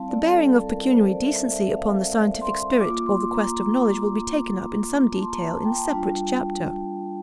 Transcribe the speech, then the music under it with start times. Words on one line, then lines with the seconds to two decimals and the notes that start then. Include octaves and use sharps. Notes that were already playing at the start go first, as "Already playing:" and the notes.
The bearing of pecuniary decency upon the scientific spirit or the quest of knowledge will be taken up in some detail in a separate chapter.
Already playing: G3 C4 E4 F5 A5
0.09 D5
0.28 A4
0.48 A4
0.67 A#4
0.86 C5
1.06 D5
1.25 E5
1.51 E5
1.77 F5
2.41 C6
2.80 A#3 F4 D6
3.06 C6
3.32 A#5
5.13 A5
5.22 C6
5.30 A#5
5.38 A5
5.65 G5
5.79 A5
5.91 G3 D4 F4 G5